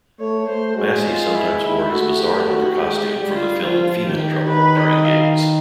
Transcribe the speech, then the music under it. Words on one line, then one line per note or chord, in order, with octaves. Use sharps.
Massey sometimes wore his bizarre leather costume from the film "Female Trouble" during gigs.
A3 C#5
A3 C5
G#3 F#4
F4
E4
E4
A3 F#4
G4
F#4
G#3 G4
G4
G3
F4
F3 F4
D#3 G4
D#3 B4
D#5
F5